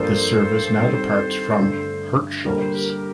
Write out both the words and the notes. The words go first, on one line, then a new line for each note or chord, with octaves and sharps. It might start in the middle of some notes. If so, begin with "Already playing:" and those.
This service now departs from Hirtshals.
Already playing: G2 F3 A#3 D4 A4 C5
D#3 G3 C4
G2 D3 A3 D4
D3 G3 A#3 A#4
C5
G4 A#4